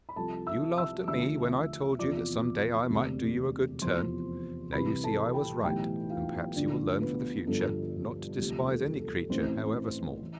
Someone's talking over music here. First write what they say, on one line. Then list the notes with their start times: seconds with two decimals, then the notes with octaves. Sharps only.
'You laughed at me when I told you that some day I might do you a good turn. Now you see I was right, and perhaps you will learn for the future not to despise any creature, however small.'
0.09 B5
0.16 C2 C3 F3 A4 A5
0.47 E5 E6
0.77 E5 E6
1.07 D2 D3 F3 E5 E6
1.99 E2 C3 F3 D5 D6
2.90 E1 D2 C3
3.82 F1 E2 C3 F3 C5 C6
4.73 C2 C3 E3 B4 B5
5.03 A4 A5
5.34 G4 G5
5.64 B1 A2 E3 G4 G5
6.10 F4 F5
6.56 D2 D3 F3 D4 D5
7.01 B3 B4
7.47 G1 G2 D3 F3 A4
8.38 E1 D2 C3 F3 G4
8.69 A4
8.99 A4
9.29 A1 A2 E3 C4 C5
10.23 E3